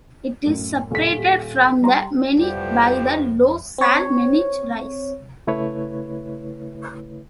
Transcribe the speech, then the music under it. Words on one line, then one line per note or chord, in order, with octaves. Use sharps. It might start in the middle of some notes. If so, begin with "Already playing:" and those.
It is separated from the Manych by the low Sal-Manych Rise.
F#2 A2
D#1 B6
G4
G3 A#5 C6
F2 A2 F3 G3 B3 G4
C4 C#5
C#3 A3 E4 B4 C#5